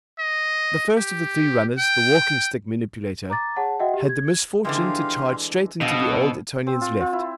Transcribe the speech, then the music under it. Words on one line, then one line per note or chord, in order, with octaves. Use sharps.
The first of the three runners, the walking-stick manipulator, had the misfortune to charge straight into the old Etonian's left.
D#5
G4
G5
A#5 D6 A6
G#4 C#5 F#5 A5
F#4 D#5 E5 F#5 G5
G4
G#6
D3 E3 G#3 F4 G4 F5
G2 B2 F3 A4
C4
F4
F4
E4